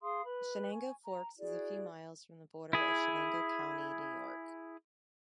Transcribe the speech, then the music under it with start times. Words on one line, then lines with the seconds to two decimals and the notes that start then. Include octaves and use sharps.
Chenango Forks is a few miles from the border of Chenango County, New York.
0.01 G#4 F5 C6 D#6
0.23 B4 B5
0.70 G#5 C#6
1.04 A#5
1.39 E4 F#4 G#4 D5
2.73 E4 G#4